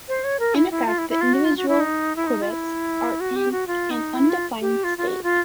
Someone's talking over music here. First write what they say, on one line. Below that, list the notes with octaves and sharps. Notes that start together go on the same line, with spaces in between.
In effect, the individual qubits are in an undefined state.
C5
C#5
A#4
E4
E4
F4
E4
E4
F4
F#4
F4
F#4
E4
D#4
E4
D#4
F4
E4
F#4
G4
F#4
F4
D#4
E4
F4
G4
F4
F4
F#4
F4